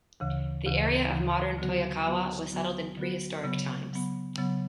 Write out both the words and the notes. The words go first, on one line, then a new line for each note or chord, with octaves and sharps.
The area of modern Toyokawa was settled in prehistoric times.
D2 C#3 E3
D2 C#3 E3
D2 C#3 E3
D3 F#3 B3 F#4
D3 F#3 B3 F#4
D3 F#3 B3 F#4
D3 F#3 B3 F#4
C#3 F#3 B3
C#3 F#3 B3
C#3 F#3 B3